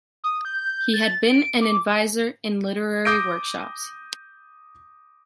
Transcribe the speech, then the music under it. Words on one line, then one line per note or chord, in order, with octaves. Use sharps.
He has been advisor in literary workshops.
D#6
G6
A6
D7
D6
D6 D#6 G6 A#6 D7